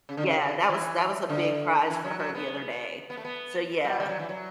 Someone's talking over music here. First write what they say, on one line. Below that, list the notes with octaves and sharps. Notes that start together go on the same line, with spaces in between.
yeah, that was that was a big prize for her the other day. So yeah.
C#3
D3
C#3
E3
D3
E3
F#3
F#3
B3
B3
A3
B3
G3
G3
F#3
E3
F#3